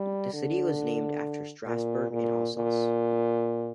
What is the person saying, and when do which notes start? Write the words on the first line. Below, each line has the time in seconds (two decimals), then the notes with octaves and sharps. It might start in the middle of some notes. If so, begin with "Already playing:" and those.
The city was named after Strassburg, in Alsace.
Already playing: G3
0.33 D3
1.67 A#2
2.11 A#2
2.56 A#2